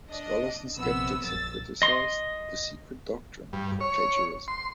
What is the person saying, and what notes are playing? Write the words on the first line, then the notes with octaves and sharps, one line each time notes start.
Scholars and skeptics have criticized "The Secret Doctrine" for plagiarism.
D4 D#5
A#1 C3 B3 E6
A#1 F#2 E6 A6
D#5 C6
G2
C#5
C6